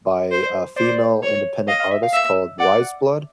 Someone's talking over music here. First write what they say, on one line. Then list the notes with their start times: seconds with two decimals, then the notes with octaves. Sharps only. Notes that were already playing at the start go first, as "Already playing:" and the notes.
by a female, independent artist called Weyes Blood.
0.31 C5
0.76 C5 D5
1.23 C#5
1.68 D#5 F5
1.80 F5
1.91 E5
2.03 F5
2.13 E5
2.59 D5 F#5